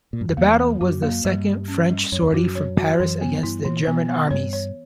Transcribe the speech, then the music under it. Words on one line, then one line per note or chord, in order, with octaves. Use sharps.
The battle was the second French sortie from Paris against the German armies.
A#2
G2
F#2
E2 A#3
A#3
F#2 F#4
A#3
G2 G3
G4
C#4
G3
F#2 C#5
E2
F#2 F#4
C#5
F#4
F#2 E3
B3
G2 E4
A#2 E3
B2 B3
B3
G2 C#5
C#5